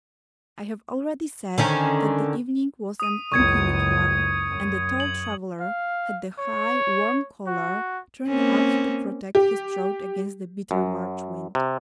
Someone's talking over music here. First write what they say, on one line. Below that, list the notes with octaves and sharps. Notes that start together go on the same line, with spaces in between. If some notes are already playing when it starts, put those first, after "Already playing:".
I have already said that the evening was an inclement one, and the tall traveller had the high, warm collar turned up to protect his throat against the bitter March wind.
D3 D#3 C#4
D#6 D#7
F#1 C#2 C#6 G#6 C#7
F#2
F#7
F5
C#5
F#4
A#3 C4 C#4
G4
F#2
C3